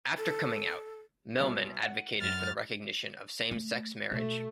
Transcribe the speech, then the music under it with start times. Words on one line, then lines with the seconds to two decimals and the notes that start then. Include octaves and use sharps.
After coming out, Mehlman advocated for the recognition of same-sex marriage.
0.17 A4
1.40 C2 B2
1.83 F#5
2.19 F#2 F6 A6
3.51 A3
4.11 B2 A3